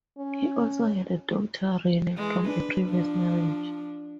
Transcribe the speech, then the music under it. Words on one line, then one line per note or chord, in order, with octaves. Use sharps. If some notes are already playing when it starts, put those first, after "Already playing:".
He also had a daughter Renee from a previous marriage.
C#4
E3 G#3
D4 B4
F3 D4